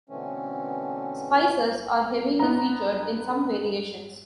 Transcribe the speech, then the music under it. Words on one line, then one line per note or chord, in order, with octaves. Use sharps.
Spices are heavily featured in some variations.
B2 D3 E3 A3 C4 C#4
B3 D4 A#5